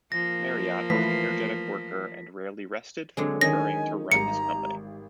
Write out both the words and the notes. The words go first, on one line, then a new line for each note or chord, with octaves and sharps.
Marriott was an energetic worker and rarely rested, preferring to run his company.
F3 A#3 A#6
E3 A3 B4 B6
D3 F#3 G#3 C4
D#3 C#4 D#4 G#5 A#6
G#1 G3 A#5 C#7